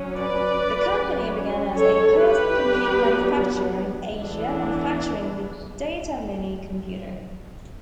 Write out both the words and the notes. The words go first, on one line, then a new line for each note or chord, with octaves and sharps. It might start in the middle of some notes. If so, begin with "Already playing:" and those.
The company began as a personal computer manufacturer in Asia manufacturing the Datamini computer.
Already playing: F#3 C#4
B4 D5
F#3 C#4
A4 C#5
G4 B4
F#3 B3 D4
E3 B3 D4